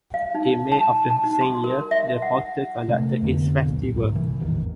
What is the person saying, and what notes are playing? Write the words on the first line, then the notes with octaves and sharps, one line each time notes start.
In May of the same year the portal conducted its festival.
F5
D#4
A5
A5
D#4
C6
A#4
E5
F#5
C3 G#3 A3 C4
F2 D3 B3
C2 A#2
B1 G#2
C3 E3
E1 A1 E2 D#3